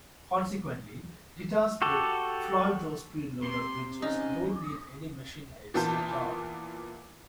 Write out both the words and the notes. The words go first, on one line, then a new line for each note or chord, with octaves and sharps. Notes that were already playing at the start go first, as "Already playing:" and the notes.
Consequently, guitars with Floyd Rose SpeedLoader bridges don't need any machine heads at all.
F#4 G4 A4
C3 C6
G#2 C#3 C#4 D#4 D#5
A#2 E3 B3 F4 A5 G6